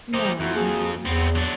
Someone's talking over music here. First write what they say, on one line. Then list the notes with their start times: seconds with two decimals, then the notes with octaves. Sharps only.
"No, indeed."
0.14 C#3 F3 D#4 G4 C5
0.40 F2 D#4 E4 F#4
0.55 A#3 F#4 G#4
1.05 E2 B3 C4
1.35 F#3 D4